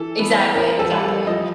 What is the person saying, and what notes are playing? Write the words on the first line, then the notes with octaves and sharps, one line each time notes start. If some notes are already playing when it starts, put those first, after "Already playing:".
Exactly, exactly,
Already playing: E3 A4
B3
A2 A#4
A4
G3
A4
F3 D#5